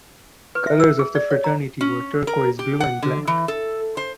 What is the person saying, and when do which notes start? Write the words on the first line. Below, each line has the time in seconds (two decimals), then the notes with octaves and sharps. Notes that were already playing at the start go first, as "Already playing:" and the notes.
Colors of the Fraternity were Turquoise Blue and Black.
0.55 B4
0.67 E5
0.80 E6
0.99 G#4
1.15 D5
1.30 C#5
1.44 A#5
1.81 C#4
2.27 A#4
2.59 G4
2.80 F#5
3.03 D3
3.27 E3
3.48 A4
3.97 C5